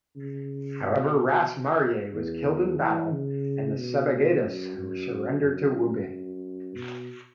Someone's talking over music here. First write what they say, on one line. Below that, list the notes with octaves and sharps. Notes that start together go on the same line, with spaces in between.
However, "Ras" Marye was killed in the battle, and Sebagadis surrendered to Wube.
C#3
B2
E2
E3
C#3
B2
F#2
F#2
F#2
F#2
B2